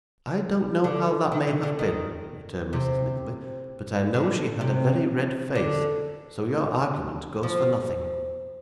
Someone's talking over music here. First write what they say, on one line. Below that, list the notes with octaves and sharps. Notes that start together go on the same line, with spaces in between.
'I don't know how that may have been,' returned Mrs Nickleby: 'but I know she had a very red face, so your argument goes for nothing.'
D3
D#3
D3
D3
D#3
C3
D3
C3
D3
F3